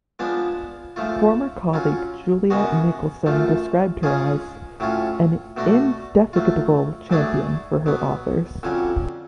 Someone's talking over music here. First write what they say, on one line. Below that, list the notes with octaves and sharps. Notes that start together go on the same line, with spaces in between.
Former colleague Juliet Nicolson described her as "an indefatigable champion for her authors".
F3 G#3 B3 D4
G#2 F3 A3 F4
F#3 C#4 F4
F#2 C#3 G#3 B3 F#4
F#2 F3 A3 F4
G#2 G#3 C#4 F4 G#4
A2 F#3 C#4 F4
B2 A3 D4 F#4
F#3 A3 F4
G#2 F#3 A3 D4 G#4
B2 F#3 B3
F2 D3 F#3 C#4